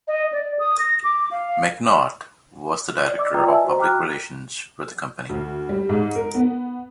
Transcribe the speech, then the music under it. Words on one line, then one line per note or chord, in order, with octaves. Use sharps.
McNaught was the director of public relations for the company.
D#5
D5
D#6
A#6
D6
F5
D5
D#5 D6 E6
F4 B4 D5 D#5 G5 A#5
B4 D#5 E5 G#5 A5 E6
F#4 C5 D#5 A#5
F#4 G5 A#5 D6 F6 F#6
D2
G3
G#2
A#4
B3